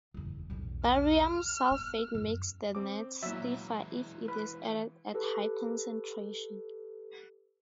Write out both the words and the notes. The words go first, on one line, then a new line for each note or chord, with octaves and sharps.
Barium sulfate makes the nets stiffer if it is added at high concentration.
F#1 E2
B1 E2
F6
B3
F#2
C4 D6
A#2 E3 F#3 G#3 E4 E5
B4
G4 A4 B4